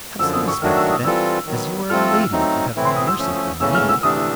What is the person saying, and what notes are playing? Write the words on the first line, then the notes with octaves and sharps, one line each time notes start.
Have some respect for them, as you are a lady, if you have no mercy for me.'
F#2 D3 F3 E6
D#6
C#6
D#3 F#3 A3 D4 F#4 F6
E6
D#6
E3 G3 C4 F4 A4 E6
D#3 F#3 B3
F3 A3 C4 F4 A4 F6
E6
F#3 A3 C4 D#4
A2 E3 A3 C4 E4
C6
D#6
E6
F3 A3 C#4
E2 C#3 E3 A3 C#4 E6
F6
E6
C3 E3 A3 D4 D#6